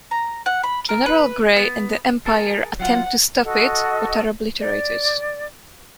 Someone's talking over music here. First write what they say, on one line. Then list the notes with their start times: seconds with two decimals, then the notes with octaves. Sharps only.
General Gray and the empire attempt to stop it, but are obliterated.
0.11 A#5
0.46 F#5
0.63 B5
0.89 A#4
1.06 B4
1.56 B3
2.26 G#4 A#4 A5
2.79 F#3 F4 F#5
3.44 F#4 A4 D#5 F#5
4.59 D5